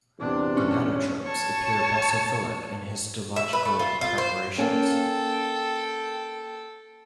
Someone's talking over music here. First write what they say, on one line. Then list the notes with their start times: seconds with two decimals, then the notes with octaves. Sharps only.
Gonadotropes appear basophilic in histological preparations.
0.19 E2 C3 D4
0.57 C#4
1.25 C#5 A5
3.36 E5
3.53 B4
3.65 A3
3.79 F4
4.01 F4
4.18 C5
4.58 A#3 C#4 A4 G5